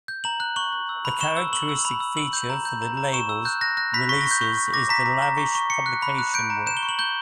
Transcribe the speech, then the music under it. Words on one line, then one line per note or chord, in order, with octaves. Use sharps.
A characteristic feature for the labels releases is the lavish publication work.
G6
A#5 F#7
F#6
C#6 F#7
F#6
E6
B5
C#6 E7
E6
C#6 F#7
E6
B5
E6
E6 F#7
G6
A#5
G6
A#5
A#5
C#6 E7
E6
F#6 G6
F#6 A#6
F#6 A#6
B5 B6
C#6 B6
C#6 A#6
G6
C#6
C#6
D6 A#6
A#5 B6
A#5
A#5
C#6
C#6
C#6 C#7
F#6
B5
F#6
G6 D7
A#5
G6 E7
G7
C#6
F#7
G6 G7